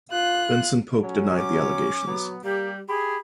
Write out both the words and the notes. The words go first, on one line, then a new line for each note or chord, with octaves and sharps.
Benson-Pope denied the allegations.
F4 F#6
F#3 C#4
D6
F#3 B3
G3 A#3 G4
G4 G#4 B5